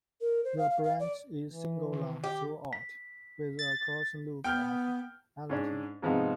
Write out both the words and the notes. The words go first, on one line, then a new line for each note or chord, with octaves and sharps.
The branch is single line throughout, with a crossing loop at Allanton.
A#4
C5
F5
F5
F5
D5
E3
D#3
G4
B6
A6
B3 G5 F6 G6
G#2 C#4 D4
G#2 C3 F3 G#3 B3 D#4